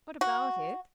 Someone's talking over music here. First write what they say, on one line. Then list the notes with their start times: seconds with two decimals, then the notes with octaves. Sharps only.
"What about it?"
0.21 F#4